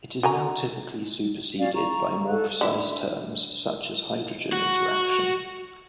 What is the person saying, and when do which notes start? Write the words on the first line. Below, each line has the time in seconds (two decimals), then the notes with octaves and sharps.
It is now typically superseded by more precise terms such as hydrogen interaction.
0.23 F#4 G#5 A#5
1.59 C#4 F#4 D5 F5
1.74 A#5 C#6
2.28 A4 F#6
2.61 D3 E4
4.52 F#4